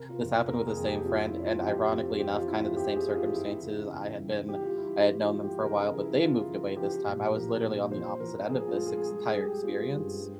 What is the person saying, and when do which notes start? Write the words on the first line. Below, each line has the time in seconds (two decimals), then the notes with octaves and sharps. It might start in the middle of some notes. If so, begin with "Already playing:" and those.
This happened with the same friend, and ironically enough, kinda the same circumstances. I had been I had known them for a while, but they moved away this time, I was literally on the opposite end of this ex ...tire experience,
Already playing: C3 A#4
0.09 F4
0.19 F2
0.28 F4
0.47 A#3 A#4
0.67 G#4
0.76 F2
0.86 G4
1.05 C4 F4
1.25 E4
1.33 C4
1.43 F4
1.62 F2 G4
1.91 C4 F4
2.19 E3 G4
2.34 F4
2.47 E3 E4
2.62 F4
2.76 E2 G4
2.96 G#4
3.06 E2
3.15 F4
3.34 E2 E4
3.62 C#3
3.91 E2
4.20 G3
4.48 G3 G4
4.63 F4
4.76 E3 E4
5.05 E3
5.24 F4
5.34 G3
5.44 G4
5.62 C#3 A#4
5.82 G#4
5.91 F3
6.00 E4
6.20 F3 F4
6.48 F3
6.77 F3 G4
7.06 A#2
7.35 F3 A#4
7.63 A#3
7.91 F3 C5
8.20 F3 A#4
8.49 F3 G#4
8.68 F4
8.78 G#3
8.86 G#4
9.06 G3 G#4
9.25 G#4
9.34 G3
9.45 G4
9.63 C4 F4
9.91 G2
10.21 G3